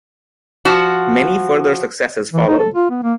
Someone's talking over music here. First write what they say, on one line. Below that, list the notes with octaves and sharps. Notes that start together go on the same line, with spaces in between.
Many further successes followed.
F3 F#4
E3
D#4
A4
F4
B3
A#3